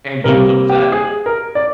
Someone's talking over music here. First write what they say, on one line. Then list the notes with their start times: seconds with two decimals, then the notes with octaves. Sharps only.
and he was upset
0.24 C3 G3 A#3 A#4
0.69 G4
0.92 G#4
1.26 A#4
1.55 D5